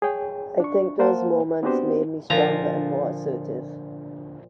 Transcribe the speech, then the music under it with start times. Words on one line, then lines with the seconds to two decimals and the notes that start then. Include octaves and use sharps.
I think those moments made me stronger and more assertive.
0.02 G#4 C#5 G5
0.60 D4 C#6
0.99 A#3 A#4 C5 F5 F#5 A5
1.63 B3 C4 D4 F#4 G4 C5
2.30 A#2 D3 F3 D4 A#5